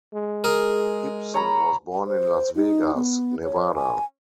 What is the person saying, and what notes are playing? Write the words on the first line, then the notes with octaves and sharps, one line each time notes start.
Gibson was born in Las Vegas, Nevada.
G#3
G#4 A#4
C#5 A#5 B5
C5
D#4
B3
C#5
G#5